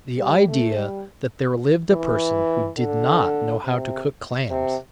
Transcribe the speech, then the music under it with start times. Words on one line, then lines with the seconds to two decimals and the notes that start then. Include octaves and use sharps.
The idea that there lived a person who did not know how to cook clams!
0.19 G3
0.48 A3
0.76 G3
1.92 E3
2.78 D3
3.64 C3
4.50 C3